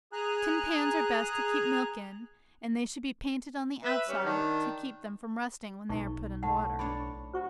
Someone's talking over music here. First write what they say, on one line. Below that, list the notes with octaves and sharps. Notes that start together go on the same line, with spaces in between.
Tin pans are best to keep milk in, and they should be painted on the outside to keep them from rusting when they are put in water.
G#4 G#5 A#5 F#6
B4 E5
G3 C#4
D#3 D4
B1 D#4 C#6
A2 F#5 A5
D4 C#5 D5 B5
F#4 C5 C#6